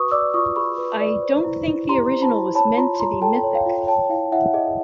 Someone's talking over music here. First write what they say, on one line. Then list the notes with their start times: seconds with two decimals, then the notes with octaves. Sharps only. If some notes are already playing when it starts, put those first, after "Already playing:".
I don't think the original was meant to be mythic...
Already playing: F#4 B4 C#6 D#6
0.11 D5 D6 E6
0.34 F4 C#6 D#6
0.56 G#4 B5 C#6
0.78 B4
1.00 D5
1.22 C5
1.44 E4
1.67 E4
1.89 G4 A#5 C6
2.12 C5
2.22 A5 B5
2.33 E4
2.55 C#5 A5 B5
2.77 F4 A#5 C6
3.00 F4 A#5 C6
3.22 A4 G5 A5
3.44 C#5
3.55 F5 G5
3.66 F4
3.87 C#5 G5 A5
4.10 E4 F5 G5
4.32 E4 E5 F#5
4.54 G#4 D#5